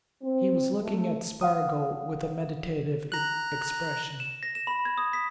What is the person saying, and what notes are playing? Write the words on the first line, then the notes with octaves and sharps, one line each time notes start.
He was looking at Spargo with a meditative expression.
C4
A3
F5 F#5 D#6
A#5 F#6
E7
A#6
E7
B5
G#6
D#6
B6